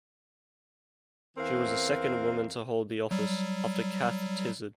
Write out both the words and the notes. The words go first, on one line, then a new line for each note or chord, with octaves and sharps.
She was the second woman to hold the office, after Cath Tizard.
E2 E3 C4 A#4 F5
F#3 G3